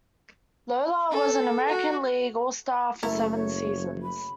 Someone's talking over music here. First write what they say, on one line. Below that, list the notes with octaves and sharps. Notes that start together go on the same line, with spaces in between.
Lollar was an American League All-Star for seven seasons.
A4
F#4
F#1 A3 E4 A4 A#4
C#5
B5